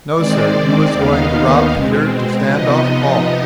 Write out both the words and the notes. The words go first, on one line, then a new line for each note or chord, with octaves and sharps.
No, sir; you was going to rob Peter to stand off Paul.
D#3 G#3 C4 D5
D#2 D#3 B3 D#4 F5
B2 G#3 C4
C3 F3 B3 D#4 D#5